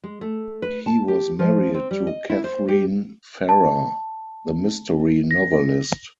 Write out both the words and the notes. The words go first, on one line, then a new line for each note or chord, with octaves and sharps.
He was married to Katharine Farrer, the mystery novelist.
G#3
A3
B4
A5
G4
F3
C4
G3
D#5
E4
C5
G4
A5
A#6